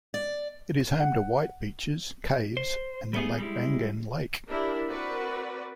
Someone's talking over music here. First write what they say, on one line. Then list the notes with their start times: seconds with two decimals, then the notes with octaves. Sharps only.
It is home to white beaches, caves, and the Lagbangan Lake.
0.14 D5
1.00 F#5
2.57 C5
3.13 G3 A3 B3 G#4
3.38 G3 G#3 E4
4.48 D4 E4 G4 A#4
4.89 C4 F#4 A#4 B4 D5 F#5